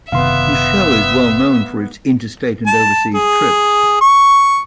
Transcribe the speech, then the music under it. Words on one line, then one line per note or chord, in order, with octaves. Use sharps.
The show is well known for its interstate and overseas trips.
F#1 C3 D#3 B3 E5 F5 C6
A5
G#4
C#6